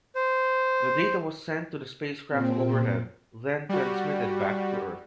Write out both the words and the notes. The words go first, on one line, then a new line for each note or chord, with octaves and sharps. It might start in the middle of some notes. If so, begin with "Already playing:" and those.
The data was sent to the spacecraft overhead, then transmitted back to Earth.
C5
A#2 C4
G3 F#4